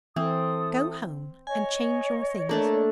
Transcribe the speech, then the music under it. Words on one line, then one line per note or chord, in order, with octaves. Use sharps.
Go home and change your things.
E3 C4 A4 D#6
C#5 D#5 G#5
A3 A#3 D4 A4